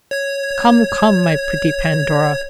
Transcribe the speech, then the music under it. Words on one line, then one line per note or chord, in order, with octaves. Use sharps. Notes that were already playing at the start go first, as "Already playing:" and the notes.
Come, come, my pretty Pandora!
C#5 G#6